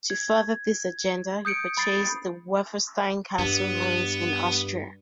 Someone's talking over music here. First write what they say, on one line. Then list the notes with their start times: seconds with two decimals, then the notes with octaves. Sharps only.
To further this agenda, he purchased the Werfenstein castle ruins in Austria.
0.10 G#6
1.45 D#6 G6 C#7 D7
1.77 B5 A6 C7 D7
3.39 G2 B3